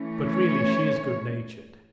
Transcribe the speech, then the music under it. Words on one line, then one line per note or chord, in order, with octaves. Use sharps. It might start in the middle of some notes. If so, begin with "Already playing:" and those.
But really she is good-natured.
Already playing: E3 A3 C#4
C#5